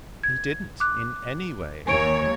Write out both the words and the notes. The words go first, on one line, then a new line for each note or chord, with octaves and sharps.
"He didn't--in any way."
G#6
D6 F#6
D#2 C#5 G#5 D7